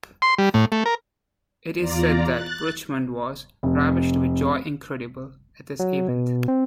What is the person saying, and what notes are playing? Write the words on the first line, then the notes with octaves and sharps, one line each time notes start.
It is said that Richmond was "ravished with joy incredible" at this event.
C6
G3
A2
A3
A#4
E2 F4 D5 A#5
F#6 A6
F1
F#3
B2
C4